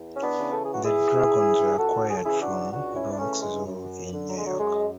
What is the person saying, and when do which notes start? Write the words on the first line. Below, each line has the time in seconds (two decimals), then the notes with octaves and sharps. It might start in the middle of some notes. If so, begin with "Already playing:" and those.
The dragons were acquired from Bronx Zoo in New York.
Already playing: E2
0.14 C#4
0.22 B3 D4
0.38 C#3 E3
0.53 A4
0.64 G#4
0.74 F#4
0.85 E2 E4 G#4
1.32 C#3 E3
1.78 C#2 F#4 A4
2.10 G#4
2.18 A4
2.25 C#3 E3 E4 G#4
2.41 D4 F#4
2.72 C#2 D4 F#4
2.96 C#4 E4
3.12 D4
3.19 C#3 E3 A3 C#4
3.43 G#3
3.66 F#2
4.13 D3
4.29 F#3
4.38 G#3
4.46 F#3
4.60 F#2 G#3